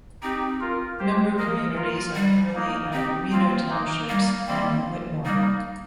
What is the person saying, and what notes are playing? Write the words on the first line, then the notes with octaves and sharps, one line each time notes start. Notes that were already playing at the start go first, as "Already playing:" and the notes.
Member communities are Burleigh and Reno townships and Whittemore.
C4 D#4 G4
F4 A#4
G4 C5
A#3 A#4 D#5
F4 A#4
G3
A#3 D#4
C4 D#4 G4
A#3 C4 F4
A#3 D#4
G3 A#3
G3 A#3 C4
G3 A#3 D#4